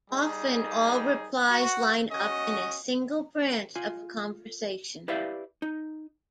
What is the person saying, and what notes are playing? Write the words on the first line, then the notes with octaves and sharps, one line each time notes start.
Often all replies line up in a single branch of a conversation.
G3 D#4 G#4
F#4
C#4 F#4 D#5
F4 G#5
E4 G4 B4 D5 E5 F5
D#4